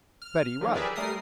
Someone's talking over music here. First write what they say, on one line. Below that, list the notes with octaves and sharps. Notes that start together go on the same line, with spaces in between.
Very well!
F6
D#3 F3 F#3
G4 G#4 A#4 B4 D5 E5
G3 A3 A#4 D#6 C7